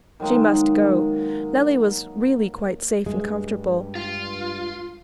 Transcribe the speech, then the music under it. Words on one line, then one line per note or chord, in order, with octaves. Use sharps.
She must go. Nellie was really quite safe and comfortable.
D#3 F#3 G#3 A#3
G2 G#3
F4